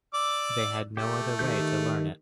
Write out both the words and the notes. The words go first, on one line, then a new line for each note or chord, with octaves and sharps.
They had no other way to learn it.
D5 D6 E6
A3 G4
D#3 G4 G6